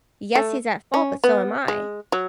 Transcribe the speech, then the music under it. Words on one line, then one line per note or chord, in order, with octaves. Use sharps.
Yes, he's at fault, but so am I,
A3
C#4
B3
G#3
F#3